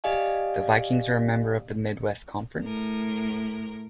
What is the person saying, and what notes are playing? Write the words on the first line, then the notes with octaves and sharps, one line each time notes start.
The Vikings are a member of the Midwest Conference.
G4 D5 D#5 F5 G#5
A2 A#4